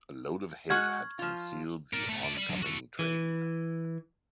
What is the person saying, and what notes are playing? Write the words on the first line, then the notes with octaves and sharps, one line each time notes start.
A load of hay had concealed the oncoming train.
G#3 F#4 F#5 C#6 F6 G#6
F3 F4
A#4 D5
A3 B3
A3 D5
D5 B5
F#3 D4
F#4 A4
E3